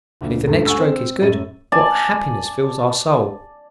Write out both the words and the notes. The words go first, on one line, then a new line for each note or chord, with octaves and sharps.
And if the next stroke is good, what happiness fills our soul.
D2 A#2
C#2 G2 A3
F#5 G#5 C#6 E6
C4 C5
F#2 A2 A6 D#7
D5 G#5 A5